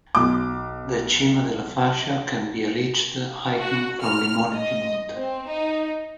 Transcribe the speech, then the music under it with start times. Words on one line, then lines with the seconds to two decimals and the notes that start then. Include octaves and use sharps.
The Cima della Fascia can be reached hiking from Limone Piemonte.
0.15 B1 D6
3.58 F#4
3.99 F6
4.53 D#5
5.15 C4
5.46 D#4